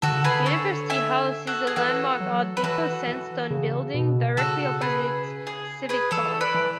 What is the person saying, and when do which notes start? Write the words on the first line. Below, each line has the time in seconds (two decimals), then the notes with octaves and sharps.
University House is a landmark Art Deco sandstone building directly opposite Civic Park.
0.02 D3 F#4 A4
0.12 C#3
0.22 D3 G#4 B4
0.46 A4 C#5
0.90 E5 G#5
1.47 F#4 A4
1.67 G#4
1.76 E3 F#4 A4
2.20 F#3
2.57 B4
2.63 E3 F#4 A4
3.07 E3
3.50 C#3
3.94 B2
4.37 C#3 F#4 A4
4.81 G#4 B4
5.47 G#4
5.89 G#4 B4
6.11 E3 A4 C#5
6.41 B4 D5
6.54 E3